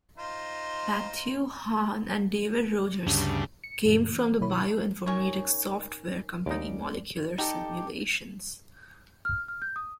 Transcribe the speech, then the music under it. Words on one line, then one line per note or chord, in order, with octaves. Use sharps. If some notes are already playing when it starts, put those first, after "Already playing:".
Mathew Hahn and David Rogers came from the bioinformatics software company Molecular Simulations.
D#4 F4 C5
D2 G2 C#3
C#7
F#2 A#2 C#3 F3
E3
B2 D#3 E4 C#5 B5
C#4 D#4 A#4 C#5 G#5
D#2 G#3 D#4 D5
D#4 G4 A4 D5
F6
F6
G6
D#6